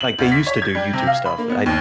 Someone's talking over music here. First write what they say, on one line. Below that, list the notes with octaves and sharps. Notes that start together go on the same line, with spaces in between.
like, they used to do YouTube stuff, I'm
F#7
D2
B6
C#5
G#6
G3
C3
F5
B5
A#3
B3
D#2